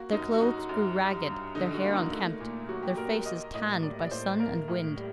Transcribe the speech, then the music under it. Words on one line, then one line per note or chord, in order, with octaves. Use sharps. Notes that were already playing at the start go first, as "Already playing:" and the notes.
Their clothes grew ragged, their hair unkempt, their faces tanned by sun and wind.
Already playing: A#3 F#4
F#2 D#4
F#4
F#3 D#4
F#2
G3
G2
D3 D#4
F#4
A#3
D#4
A3
A#2
F#3 F#4
G4
A#2 A#4
G5
A#3 D#5
A2 D#5
G3 D5
D5
A2 C5
A#3 A#4
A2
G3